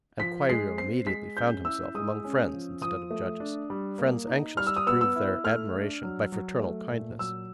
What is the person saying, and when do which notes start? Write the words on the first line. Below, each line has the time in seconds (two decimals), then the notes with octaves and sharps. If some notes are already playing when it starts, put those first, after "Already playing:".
And Kwairyo immediately found himself among friends instead of judges,--friends anxious to prove their admiration by fraternal kindness.
0.20 F3 B6
0.49 G#3 C7
0.78 C4 C7
1.07 G#3 B6
1.37 C#4 G6
1.65 E4 E6
1.95 G#3 D#6
2.24 C#4
2.53 F3
2.81 F3 D#6
3.11 A3
3.40 D4
3.70 G3
3.99 A#3
4.27 D#4
4.57 G3 F6
4.67 E6
4.77 D#6
4.87 B3 E6
5.01 E6
5.16 E4
5.44 A3 F6
5.74 D4
6.03 F#3
6.32 F#3
6.60 A3
6.91 A#2
7.19 F#3 E6